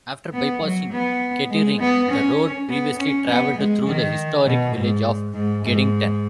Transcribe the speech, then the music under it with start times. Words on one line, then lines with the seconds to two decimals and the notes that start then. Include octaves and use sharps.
After bypassing Kettering, the road previously travelled through the historic village of Geddington.
0.33 B3
0.62 F#3
0.92 B3
1.51 G#3
1.80 B3
2.10 C#4
2.69 B3
2.98 C#4
3.28 B3
3.57 G#3
3.87 D#3
4.46 B2
4.75 G#2
5.34 G#2
5.64 G#2